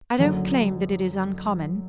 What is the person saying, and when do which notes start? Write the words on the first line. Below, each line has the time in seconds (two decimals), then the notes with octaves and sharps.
I don't claim that it is uncommon.
0.19 F#1 F#2 D3 F#3